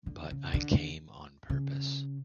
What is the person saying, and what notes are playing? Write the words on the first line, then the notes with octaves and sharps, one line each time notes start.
But I came on purpose.
D3
C#3
D3
C#3